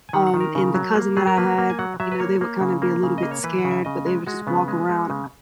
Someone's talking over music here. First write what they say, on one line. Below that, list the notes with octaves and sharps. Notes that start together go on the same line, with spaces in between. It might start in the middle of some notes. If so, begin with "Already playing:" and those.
um, and the cousin that I had, you know, they would kinda be a little bit scared, but they would just walk around.
G#5
D#3 F#5
F#5
D#3
A#4
C#3
F#3
A#3
F#3 G#4
A#4
A#3 B4
A#3
G#5
F#3 F#5
F#3 E5
B4
A#3 C#5
A#3
C#3
A#3
C#3
A#3 D#5
C#5
E3 B4
F#5
C#3
E5
C#3 D#5
G#3
G#3 F#4
C#3 B3
G#3
G#3
C#3